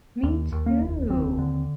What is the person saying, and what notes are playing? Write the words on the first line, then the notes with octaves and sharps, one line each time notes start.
Me too,
D#2
D#2
A#3
F1
D#2 C4
D3